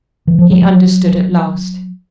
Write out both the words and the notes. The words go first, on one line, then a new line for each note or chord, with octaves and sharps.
He understood at last.
E3
F3
F#3
F#3